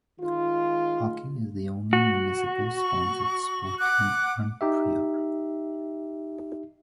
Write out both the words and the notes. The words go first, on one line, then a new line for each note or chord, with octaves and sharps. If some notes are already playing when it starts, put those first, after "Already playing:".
Hockey is the only municipally sponsored sport in Arnprior.
D#3 G#3 F4
F#4
C#6
F#5 D6 F#6
D#4 G4 E5